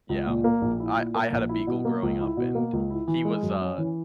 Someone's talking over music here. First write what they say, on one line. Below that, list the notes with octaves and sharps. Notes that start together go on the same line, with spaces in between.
Yeah, um, I I had a beagle growing up, and he was a
C#2
A#2
A#3
A#1
E4
A#2
A#3
A#1
E4
B2
A#3
C#2
E4
B2
A#3
C#2
E4
E3
G#3
F#2
C#4
E3